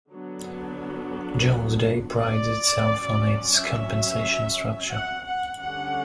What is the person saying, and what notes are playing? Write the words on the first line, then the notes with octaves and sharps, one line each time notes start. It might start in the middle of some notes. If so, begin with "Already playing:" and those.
Jones Day prides itself on its compensation structure.
D3 F#3 B3 D4
D5
F#3 C#4
E5
F#5
F#5
D3 G3 C#4 F#5